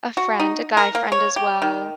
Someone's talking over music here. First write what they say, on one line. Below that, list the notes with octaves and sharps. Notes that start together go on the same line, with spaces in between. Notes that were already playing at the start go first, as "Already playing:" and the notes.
a friend a guy friend as well
F#4
D#4
A#4
A#3
C#5
G4
D#3